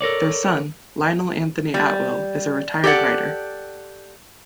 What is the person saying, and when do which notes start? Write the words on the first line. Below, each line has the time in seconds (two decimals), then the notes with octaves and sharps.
Their son, Lionel Anthony Atwill, is a retired writer.
0.01 A4 A#4 C#5 D5
1.74 G3
2.84 G4 A4 D5 F#5